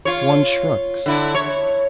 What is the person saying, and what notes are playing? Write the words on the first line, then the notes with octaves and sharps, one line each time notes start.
One shrugs.
F4 C#5
D3 E4
C#5